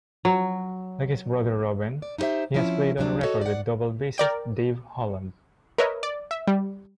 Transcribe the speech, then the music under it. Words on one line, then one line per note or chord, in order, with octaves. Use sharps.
Like his brother Robin, he has played on record with double bassist Dave Holland.
F#3
D5
D#4 E4 G4 C5 E5
F3 C4 C#4 E4
D2 F3 F#3 A#3 D4
F#4 A4 C#5 D#5
D5 F#5
A#4 D5 G5
A#4 B4 C#5 D#5 E5
D5
E5
G3